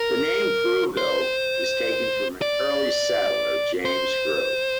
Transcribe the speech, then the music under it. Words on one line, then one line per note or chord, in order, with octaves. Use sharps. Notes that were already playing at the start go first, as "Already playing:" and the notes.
The name Frewville is taken from an early settler James Frew.
Already playing: A#4
C5
D5
C5